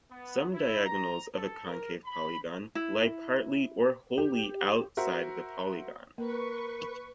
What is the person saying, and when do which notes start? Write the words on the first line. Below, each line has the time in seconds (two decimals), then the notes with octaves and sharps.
Some diagonals of a concave polygon lie partly or wholly outside the polygon.
0.12 B3
0.53 E4
0.86 A#5
1.35 A4
1.67 A#4
2.05 B5
2.75 E4
4.18 G4
4.97 F#4 A#4 C5 E5
6.18 A#3 A#4 B4 C#6